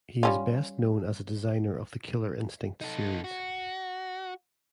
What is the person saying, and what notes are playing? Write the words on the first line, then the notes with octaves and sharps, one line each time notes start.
He is best known as a designer of the "Killer Instinct" series.
G3 C#4 F4
D#4 A4
F#4